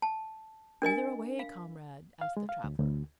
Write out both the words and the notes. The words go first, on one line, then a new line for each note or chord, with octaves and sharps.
"Whither away, comrade," asked the traveller.
A5
D4 A#4 D#5 G#5
F5
F5
G#3
F5
D2
D2